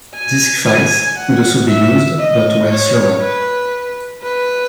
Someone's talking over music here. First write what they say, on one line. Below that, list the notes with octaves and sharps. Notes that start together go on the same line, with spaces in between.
Disk files could also be used but were slower.
G#5
G#5
F#5
E5
D#5
C#5
B4
B4